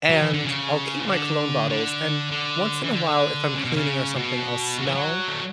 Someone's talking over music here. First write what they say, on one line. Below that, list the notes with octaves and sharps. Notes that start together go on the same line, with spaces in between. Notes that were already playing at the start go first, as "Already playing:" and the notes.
and I'll keep my cologne bottles, and once in a while, if I'm cleaning or something, I'll smell
F#3
E3
D3
C#3
E3
D3
D3
D3
E3
D3
C#3
B2
C#3
B2
F#3
E3
F#3
A3